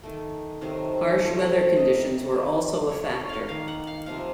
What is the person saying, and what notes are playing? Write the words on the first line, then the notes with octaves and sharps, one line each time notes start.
Harsh weather conditions were also a factor.
D#3 A3
C3 D#3 F#3 A3
C3 F3 A3
C3 F#3 A#3 D#5
D#3 F#3 A3
D#3 A3 C#5
C#5
F5
D#3 A#3 F5
F#5
F5
C3 F3 A#3 F5